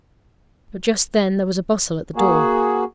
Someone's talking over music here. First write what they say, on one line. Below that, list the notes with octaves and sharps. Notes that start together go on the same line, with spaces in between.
But just then there was a bustle at the door.
A#3 F#4 G#4